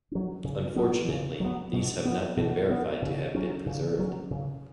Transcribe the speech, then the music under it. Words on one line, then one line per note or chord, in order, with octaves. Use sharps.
Unfortunately, these have not been verified to have been preserved.
F#3 C#4
C#3
F#3 B3
C#3
F#3 B3
B2
B3
B2
B3
C#3
F#3 C#4
C#3
F#3 C#4
C#3